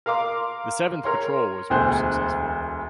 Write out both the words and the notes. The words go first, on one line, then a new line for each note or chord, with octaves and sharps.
The seventh patrol was more successful.
A#4 F5 C6 D6
A#4 C#5 C6
E1 D2 C5 G#5 F#6